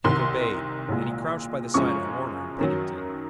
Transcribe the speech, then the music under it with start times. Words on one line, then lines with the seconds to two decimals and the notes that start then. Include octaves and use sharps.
Dick obeyed, and he crouched by the side of Warner and Pennington.
0.04 C2 C3 D#3 C6
0.89 C2 A#2 G#3
1.74 F#2 C#3 F3 G#3 C#6
2.59 F#2 D#3 F#3